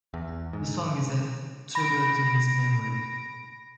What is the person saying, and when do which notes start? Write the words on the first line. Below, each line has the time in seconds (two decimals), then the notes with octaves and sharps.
The song is a tribute to his memory.
0.14 E2
0.53 G#2
1.75 B5 A#6 D7